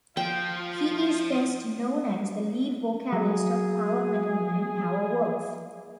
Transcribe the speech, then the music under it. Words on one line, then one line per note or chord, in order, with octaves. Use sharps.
He is best known as the lead vocalist of power metal band Powerwolf.
F3 F4 G5
F#3 G#4